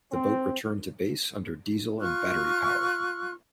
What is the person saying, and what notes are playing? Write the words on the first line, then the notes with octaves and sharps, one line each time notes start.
The boat returned to base under diesel and battery power.
C4
F4 C#6 F6 F#6